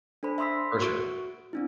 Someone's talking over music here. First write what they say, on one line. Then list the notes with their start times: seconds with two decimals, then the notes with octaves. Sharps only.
For sure.
0.23 D4 A4 C5 B5
0.38 E5 B5 C6 D#6 E6 B6
0.80 F#4 C#6 D7
1.53 C4 D4 E4